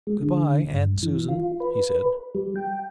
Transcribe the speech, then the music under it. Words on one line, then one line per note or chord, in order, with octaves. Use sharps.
"Good-bye, Aunt Susan," he said.
G#3
D3
G2
E3
F4
B4
G3
G5